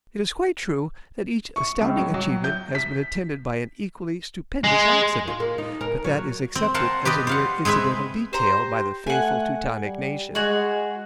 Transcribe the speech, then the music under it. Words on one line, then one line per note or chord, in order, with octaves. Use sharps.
It is quite true that each astounding achievement has been attended by an equally stupendous accident, but that is accepted as a mere incidental detail by the faithful Teutonic nation.
C#6
C#2
F#3
F#3
G6
B6
G#3
F4
A#3
D#4
A#4
F#3
C4
A#4 C5 F5 F#5 A5 A#5
G4 B4 D5 D#5
C5 F5 F#5
G#3 C4 G#4 B4 E5
G4 C5 A#5
A3 F#5 G#5
G3
G#3 F#4 G#4 C#5